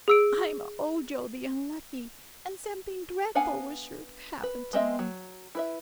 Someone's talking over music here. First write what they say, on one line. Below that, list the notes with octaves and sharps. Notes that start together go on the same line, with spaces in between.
"I'm Ojo the Unlucky, and something dreadful was sure to happen to me."
G#4 E6 D7
B3 D4 F5 F#5 G#5
B4
G#3 C4 D#5 E5
F#3
E4 B4 E5